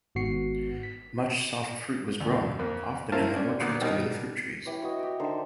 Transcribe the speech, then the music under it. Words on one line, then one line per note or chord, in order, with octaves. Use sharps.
Much soft fruit was grown, often in the orchards under the fruit trees.
G#1 G#2 B3 F#4 C7 C#7
B6
D2
F2 A#3
C#4 E4 A#4 C5 F5 A5
C#4 D4
A#2 D3 B3 D5
B2 D#3 G3 D#4
E3 G4 C#5
F#4 D#5
G4 G5
D3 D#3 C5